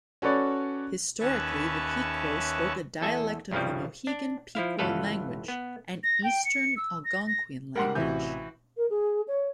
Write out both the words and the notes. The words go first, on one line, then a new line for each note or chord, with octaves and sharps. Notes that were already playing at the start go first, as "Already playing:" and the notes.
Historically, the Pequot spoke a dialect of the Mohegan-Pequot language, an Eastern Algonquian language.
C#4 F#4 A4 B4 C#5 D5
D#2 C#4 B4 E5 A5 C#6
E2 A4 E5 G#5
C2 G2 C#3 F3 G3
D4
F3 E4 F5
G1 C#2 E3 A4 B4 F5
B3
A#6
G5
C#7
E6
A#6
A#6
G#2 G3 A#4 F#5 C6
A1 C3 E3 E4 F#4 G6
A#4
G#4
C#5